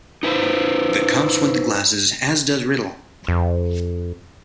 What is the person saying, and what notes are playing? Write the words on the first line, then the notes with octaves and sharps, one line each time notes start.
The cops want the glasses, as does Rydell.
D#4 B4 C5
F2